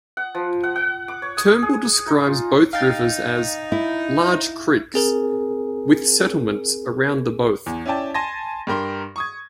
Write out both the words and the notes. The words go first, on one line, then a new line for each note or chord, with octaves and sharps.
Turnbull describes both rivers as, "large creeks" with settlements around the both.
F#5
F3
F#5
F#5
D6
C#5
D#6
G#4
D#4
F4
D#4 F5 G5 A6
E4
C4 G#4 A#4
E2
C#4 E4 D5 G5 A5
G#5 A5 C6 A6 A#6
G2 G4 A#4 C6
C#6 D#6 G#6